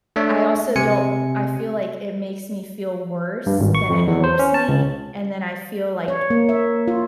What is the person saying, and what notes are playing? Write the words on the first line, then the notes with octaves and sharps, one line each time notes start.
I also don't I feel like it makes me feel worse, than it helps me, and then I feel like
A3 D4 C#5 E5
C3 G#5 C#7
G2
G#1
C#6
F2
E2
C5
C#4
A5
C#2
C#5
A#3
E5
F4